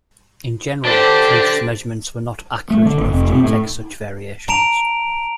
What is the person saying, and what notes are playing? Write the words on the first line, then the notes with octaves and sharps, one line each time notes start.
In general, Proust's measurements were not accurate enough to detect such variations.
D4 G4 A4 C5
A3
D3
G1
F1
C3
A2
A5 A#5 D7 F7